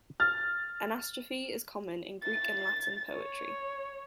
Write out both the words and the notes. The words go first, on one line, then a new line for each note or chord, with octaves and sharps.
Anastrophe is common in Greek and Latin poetry.
F6 A6
A6
C#5